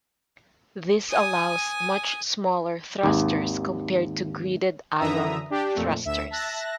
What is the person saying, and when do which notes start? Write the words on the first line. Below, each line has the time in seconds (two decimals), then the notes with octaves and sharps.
This allows much smaller thrusters compared to gridded ion thrusters.
1.10 G#5 D#6
3.03 G#1 D#2
4.98 F#2 D3 E3 E5 A#5 D#6
5.50 D4 G4
5.75 F2 A#2 A3 C4
6.05 D2 E5 E7
6.30 E5 A5 F#6 A#6